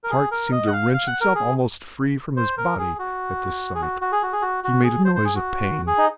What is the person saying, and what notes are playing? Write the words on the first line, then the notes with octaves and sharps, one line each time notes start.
His heart seemed to wrench itself almost free from his body at this sight. He made a noise of pain.
A#4
G#4
A#4
D#5
F#5
F5
F5
F#5
A#4
G#4
C5
A#4
G#4
F#4
G#4
F#4
F#4
G#4
F#4
G#4
F#4
F#4
G#4
C5
C5
G#4
F#4
G#4
D#4